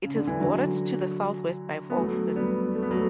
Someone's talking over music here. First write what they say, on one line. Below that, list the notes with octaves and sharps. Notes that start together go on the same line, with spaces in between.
It is bordered to the southwest by Fallston.
C#3
D3
E3
D3 F#3
B3
F#3 A3
G3 B3
A3
B3
F#3 A3